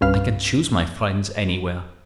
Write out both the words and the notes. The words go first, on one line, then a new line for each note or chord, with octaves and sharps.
I can choose my friends anywhere.
C2 G2 C#4 B4 F5 F6